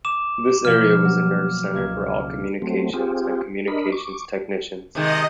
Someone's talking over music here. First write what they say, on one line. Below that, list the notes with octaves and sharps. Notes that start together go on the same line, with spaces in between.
This area was the nerve center for all communications and communications technicians.
D6 E7
B2 F3 A#3 F6
F#3
C#2 A#3 G#6
F#3 A3 C4
C4 F4 G4 G#4
D4 A#4 D#5 B5
C#6 D6
C3 D#3 G#3 D#5